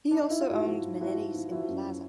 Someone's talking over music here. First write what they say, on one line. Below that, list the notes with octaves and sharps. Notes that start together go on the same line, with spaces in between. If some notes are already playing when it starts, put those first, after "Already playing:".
He also owned Manetti's in the Plaza.
D4
D#4
E4
F4
G#2 E4 F#4
F3
G#2
F3 E4 F#4
G#2
F3
F3 E4 F#4
F#2